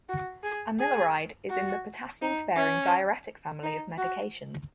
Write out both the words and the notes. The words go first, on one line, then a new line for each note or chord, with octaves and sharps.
Amiloride is in the potassium-sparing diuretic family of medications.
F#4
G#4
G#4
F#4
D#4
C#4
D#4
F#4